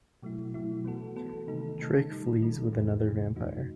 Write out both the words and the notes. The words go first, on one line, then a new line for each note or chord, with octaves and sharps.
Trick flees with another vampire.
B2 F#3 A3 E4
B2 F#3 A3 E4
E3 B3 F#4 A4
E3 B3 F#4 A4
C3 D#3 A3 D#4 A4
C3 D#3 A3 D#4 A4
D#3 G3 D#4 A4
D#3 G3 D#4 A4
E2 C3 E3
E2 C3 E3
F#2 E3 A3 D#4 F#4